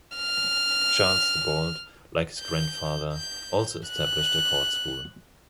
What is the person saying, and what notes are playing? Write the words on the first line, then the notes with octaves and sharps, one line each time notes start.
Charles the Bald, like his grandfather, also established a Court School.
F6
G6
G6
F#6